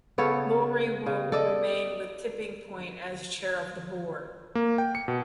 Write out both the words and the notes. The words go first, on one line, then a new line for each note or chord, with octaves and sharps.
Lurie will remain with Tipping Point as chair of the board.
C#3 B3 A4 C#5
C#3
A4 D5 D#5
A#3
G5
C#7
B2